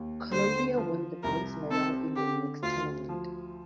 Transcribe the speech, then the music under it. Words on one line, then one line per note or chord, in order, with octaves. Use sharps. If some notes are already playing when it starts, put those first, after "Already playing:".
Colombia won the bronze medal in the mixed tournament.
Already playing: D#2
D3 C5
F3
C2 A#4
C4 A4
D3 G4
D2 F4
F3